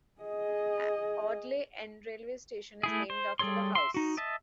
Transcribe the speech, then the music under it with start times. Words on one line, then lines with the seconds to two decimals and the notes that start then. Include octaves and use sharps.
Audley End railway station is named after the house.
0.22 G#4 D#5
2.83 A3 E4 G#4
3.10 C5
3.39 G3 G#4 A4 C#5 C6
3.75 E5 C6
3.94 D#4 F#4
4.17 D#5 E5 A5